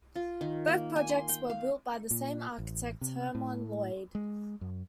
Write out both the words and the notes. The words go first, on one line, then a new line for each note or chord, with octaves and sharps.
Both projects were built by the same architect, Hermon Lloyd.
F4
D#3
A#3
G#5
C6
G5
F5
A#2
A1
C3
A2
G#3
F#2